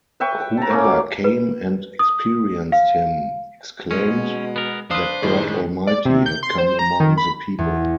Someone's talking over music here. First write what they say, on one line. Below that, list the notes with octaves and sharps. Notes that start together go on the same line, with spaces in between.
Whoever came and experienced him exclaimed that God Almighty had come among the people.
B4 E5 G5 C#6
G5
A5 A#5
A3 A#3 C#4
F#3 C#5 D6
B4
D#6
F5
B2 G#3 C#4
B3 A#4
D4 B4 C5 F5 D#6
F#2 A2 D#3 G#3
D5
C3
G6
C6
C5
A#5
D#3
B5
E2